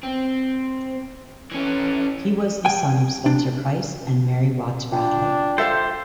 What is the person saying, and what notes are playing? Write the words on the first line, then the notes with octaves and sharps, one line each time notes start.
He was the son of Spencer Price and Mary Watts Bradley.
C4
E3 C#4
G5 G#5
D4
D4 F4 G5
A4 C5 E5 F5